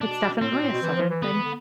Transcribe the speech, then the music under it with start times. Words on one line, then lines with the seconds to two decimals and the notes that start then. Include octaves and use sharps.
It's definitely a Southern thing.
0.01 B2 D4
0.42 A2 C4
0.51 B2
0.62 A2
0.72 B2
0.82 E3
0.95 F3
1.10 E3
1.23 D3 B3
1.33 E3
1.44 D3